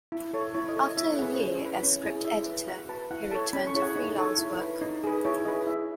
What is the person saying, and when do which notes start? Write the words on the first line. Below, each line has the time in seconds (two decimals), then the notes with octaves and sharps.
After a year as script editor he returned to freelance work.
0.12 E4
0.33 A4 C#5
0.54 E4 C#5
0.69 D#5
0.76 A4 C#5
0.82 D#5
0.97 E4 E5
1.19 G#4 B4 F#5
1.39 C#4
1.61 E4 B4
1.83 C#4
2.04 E4 G#4
2.25 E4 E5
2.46 B4
2.68 F#4 F#5
2.89 B4 A5
3.11 E4 F#5
3.31 A4 C#5 A5
3.53 C#4 B5
3.67 C#6
3.75 E4 G#4 C#5
3.82 F#5
3.96 D#4
4.18 A4 C#5
4.38 E4
4.61 B4
4.81 D#4
5.04 G#4 B4
5.25 E4 C#5
5.45 G#4 B4 D#5
5.67 E4 E5